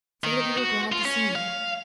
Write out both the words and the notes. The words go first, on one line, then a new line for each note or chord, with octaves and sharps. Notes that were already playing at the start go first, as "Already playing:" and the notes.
"Say that you are glad to see me."
D#3
F#4
F4
C#4
F5